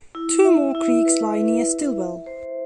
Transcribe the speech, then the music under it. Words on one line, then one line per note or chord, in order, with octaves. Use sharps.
Two more creeks lie near Stilwell.
E4
E5
E4
B4
E4
E5
E5
C5